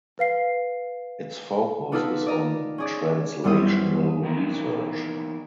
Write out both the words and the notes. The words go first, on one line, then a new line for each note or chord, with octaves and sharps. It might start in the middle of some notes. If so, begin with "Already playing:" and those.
Its focus is on translational research.
B4 F5 C7
B3 D4 D#4 F4 A4 B4
D5 D#5 A#5
C#4 G#4 D5
F#2 G3 B3 E4 C5 D#6
E3 B3 D#4 E4 A4 A#4